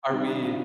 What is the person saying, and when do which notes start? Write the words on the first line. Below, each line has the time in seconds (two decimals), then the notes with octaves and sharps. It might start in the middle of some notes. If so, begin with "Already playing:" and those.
are we
0.10 C3 D#3 G3 C4
0.20 D4
0.32 D#4
0.44 F4